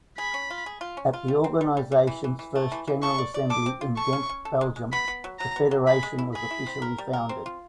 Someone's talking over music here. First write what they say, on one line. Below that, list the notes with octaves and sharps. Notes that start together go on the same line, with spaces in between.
At the organisation's first general assembly, in Ghent, Belgium, the federation was officially founded.
G#4 B5
C#4
F4
G#4
F4
C#4
F4
G3
C4
G3
G3
G3
E3
E3
E3
A3
E3
E3
A4 C#6
D5
D5
A4 D6
C4
F4
A4 C#6
C#4
C#4
A4
G#3
G#3
B3 B5
B3
F#3
F#3 A#5
B3
F#3
G#4 B5
G#3
E4
G#4 B5
E4
C4
A#4
G3
A#4
C4
F4